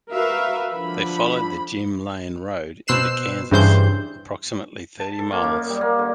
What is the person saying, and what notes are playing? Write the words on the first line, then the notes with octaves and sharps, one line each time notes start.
They followed the "Jim Lane Road" into Kansas approximately thirty miles.
F#4 A#4 B4 E5 F5
D3 F3 B5
B2 C5 E6 F#6 C7 E7
G2 C#3 E3 C5 C6 G6
A5
A4
A#3
F#2
D#5
G3
A#3
D3